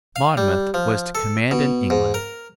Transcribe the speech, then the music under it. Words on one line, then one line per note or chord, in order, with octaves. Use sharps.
Monmouth was to command in England.
F5
G3
F3
A4
B2
G#2
A#4